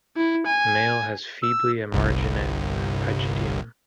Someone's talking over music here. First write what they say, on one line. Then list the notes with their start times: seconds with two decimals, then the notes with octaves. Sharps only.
Male has feebly emarginate pygidium.
0.17 E4
0.46 G#5
1.43 E6
1.92 G1 C2